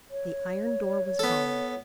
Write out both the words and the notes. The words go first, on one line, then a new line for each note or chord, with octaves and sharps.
The iron door was barred.
C#5
B3 A4